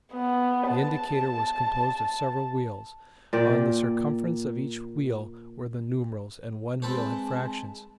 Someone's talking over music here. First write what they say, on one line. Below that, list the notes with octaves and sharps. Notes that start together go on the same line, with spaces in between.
The indicator was composed of several wheels; on the circumference of each wheel were the numerals; and one wheel had fractions.
B3
A5
A#2 D5 G5
G#3 C4 B4 C5 A5